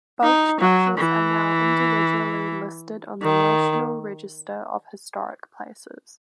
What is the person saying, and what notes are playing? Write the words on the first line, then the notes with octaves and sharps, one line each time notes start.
Both structures are now individually listed on the National Register of Historic Places.
D#4
F#3
E3
D#3